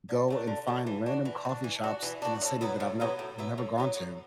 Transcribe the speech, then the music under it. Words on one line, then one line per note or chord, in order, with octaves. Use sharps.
go and find random coffee shops in the city that I've never never gone to, and
D3
F#3 A3 D4
D3
F#3 A3 D4
E3
D4 F#4
E3
F#4
D4
E3
D4 F#4
E3
D4 F#4
A2
F#3 B3 E4
A2
F#3 B3 E4
A2
F#3 B3 E4
A2
F#3 B3 E4
A2